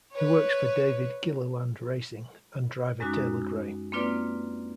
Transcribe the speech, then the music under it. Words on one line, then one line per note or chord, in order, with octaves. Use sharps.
He works for David Gilliland Racing and driver Taylor Gray.
B4 C#5
F#2 G#3 C#4 D#4 F#4 D6
A#3 C4 D4 F4 B4 D5